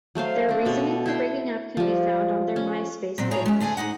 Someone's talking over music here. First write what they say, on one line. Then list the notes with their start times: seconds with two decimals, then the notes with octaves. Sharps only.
Their reasoning for breaking up can be found on their MySpace page.
0.15 F#3 A3 C5 F5
0.49 C4 D4
0.65 B2 A4 B5
1.06 E4 E5 G5 C6
1.77 F3 G3
2.56 C#4
3.18 A#2 F#3 C4
3.31 A2 A3 G#4 C#5 A#5
3.46 G#3 C#4
3.60 D2 A3 G#4 G#5
3.77 G#2 C3 D#4 F#5